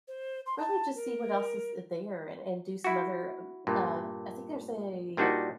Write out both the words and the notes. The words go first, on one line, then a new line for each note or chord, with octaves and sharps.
really just see what else is, eh there and and do some other, um uh, I think there's a
C5
C6
A5
A#4
E4 F#4
G2 A#2
A#2 G3 D4 D#4 F#4